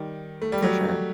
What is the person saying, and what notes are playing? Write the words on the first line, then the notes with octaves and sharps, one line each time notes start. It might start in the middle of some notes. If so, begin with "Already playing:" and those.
for sure.
Already playing: D#3 G3
A3
G3
F#3 A3